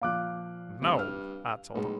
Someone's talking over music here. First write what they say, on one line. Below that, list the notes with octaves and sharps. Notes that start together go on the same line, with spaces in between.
No,' I told him.
A#2 F3 F5 D6 F#6
D2 G2 C4
E6 F6
B1 A2 G#3